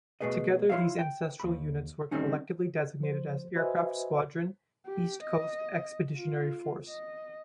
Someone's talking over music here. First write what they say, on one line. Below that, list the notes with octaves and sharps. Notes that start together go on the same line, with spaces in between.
Together, these ancestral units were collectively designated as Aircraft Squadron, East Coast Expeditionary Force.
B2 G3 A3 G#4 B4 D#5
E4 F4 G4 C#5 E5 F5
G5
D#2 B5
D#3 G3 A3 C4 C#4 D#4
F3 C5
F#4 B4 C5 D#5 E5 G#5
G4
D#5
F4
D#5